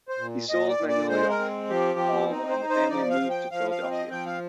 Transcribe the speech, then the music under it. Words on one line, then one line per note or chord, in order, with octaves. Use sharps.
He sold "Magnolia Hall" and the family moved to Philadelphia.
C5
A#2
A#2 D#5
D5
A#2
D5
G#3 C5
A#4
C4
F3 G4
C4
D#4
C5
D#4
C5
F3 D5
F5
F3
G5
F3 F5
F5
C4
D#5
F3 G5
F5